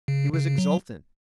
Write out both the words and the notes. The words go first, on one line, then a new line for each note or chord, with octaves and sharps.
He was exultant.
C#3
C#3
F#3